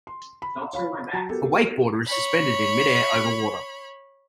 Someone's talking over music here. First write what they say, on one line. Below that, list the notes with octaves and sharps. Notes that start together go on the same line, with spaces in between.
A wakeboarder is suspended in midair over water.
C6
B5
C#5 F5 B5
F#3 A5 A#5
B3 F#4 G4 A4 A#4
C#5 B5